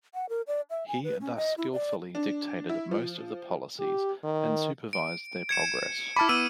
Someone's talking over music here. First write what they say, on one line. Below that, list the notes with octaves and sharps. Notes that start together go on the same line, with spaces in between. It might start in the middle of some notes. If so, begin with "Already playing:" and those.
He thus skilfully dictated most of the policies and supervised their progress.
F#5
A#4
D5
E5
G#5
B4
C#4
D#5
E4
D5
D4
E4
F3
G4
D#3
D7
G#6 C#7 E7
E4 A5 B5 D6 F6
B3 E4 E6 D#7